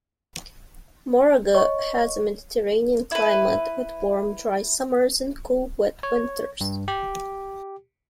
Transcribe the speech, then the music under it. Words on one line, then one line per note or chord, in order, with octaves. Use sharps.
Moraga has a Mediterranean climate, with warm, dry summers and cool, wet winters.
C#5 D#5 C#6
E4 B4
C#5
G2
G4